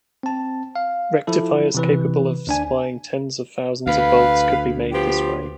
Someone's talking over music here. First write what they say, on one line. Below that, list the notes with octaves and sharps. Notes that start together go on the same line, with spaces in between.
Rectifiers capable of supplying tens of thousands of volts could be made this way.
C4 A5
F5
F3 E4 A4
C3 E3 B4
D2 D4 G#5
D2 B4 F5
F3 B3 G4